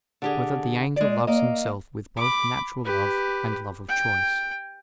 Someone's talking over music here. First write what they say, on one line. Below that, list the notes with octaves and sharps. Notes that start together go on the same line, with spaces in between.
Whether the Angel Loves Himself with Both Natural Love, and Love of Choice?
D3 G4 G#4
G#3 D5
A#3 D#5
B5 D6
G4 B4
G5